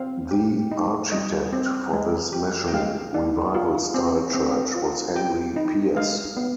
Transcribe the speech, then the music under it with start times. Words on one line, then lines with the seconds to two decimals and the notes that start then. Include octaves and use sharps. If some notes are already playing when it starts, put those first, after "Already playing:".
The architect for this Mission Revival-style church was Henry Pierce.
Already playing: C4 F5
0.31 G4
0.71 D#4
1.12 G3 D#5
1.53 C4
1.93 G#3
2.33 G4
2.68 G5
2.73 G#3 F5
3.14 D4
3.54 F4
3.94 C4
4.35 C4
4.75 F4
5.16 G4 G5
5.56 D#4
5.96 G#3 F5
6.37 B3